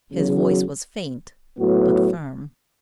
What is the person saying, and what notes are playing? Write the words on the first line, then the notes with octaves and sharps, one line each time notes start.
His voice was faint but firm.
E2 C#3 F#3
A2 F#3 B3 F#4